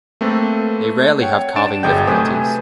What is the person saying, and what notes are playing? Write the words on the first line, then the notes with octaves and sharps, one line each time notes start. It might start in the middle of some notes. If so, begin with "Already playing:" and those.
They rarely have calving difficulties.
A3 A#3 C4 A4 B4
C#5 F#5 G5
D4 A6 D7 E7
G1 F#3 G#4 D#5 G5 G6
C3 A3 B4 C5 G#5 D#6